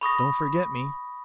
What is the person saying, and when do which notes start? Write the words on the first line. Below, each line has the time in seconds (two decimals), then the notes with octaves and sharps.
"Don't forget me."
0.01 B5 C#6 D#6 A#6